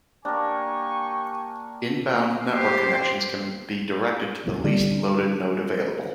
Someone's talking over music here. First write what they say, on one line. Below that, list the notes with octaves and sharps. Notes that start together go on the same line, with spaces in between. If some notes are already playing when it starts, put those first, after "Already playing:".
Inbound network connections can be directed to the least loaded node available.
A#3 D4 G4 A#4 G5 G#5 C#6
A#3
G4 C5
D3 G3 D4